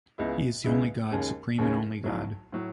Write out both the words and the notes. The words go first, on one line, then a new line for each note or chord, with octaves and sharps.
He is the only God, supreme and only God.
C#2 C#3 G#3 B3 E4
C#2 C#3 G#3 B3 E4
D#2 C#3 G#3 C#4
D#2 C#3 G#3 C#4
B1 A2 F#3
A2 F#3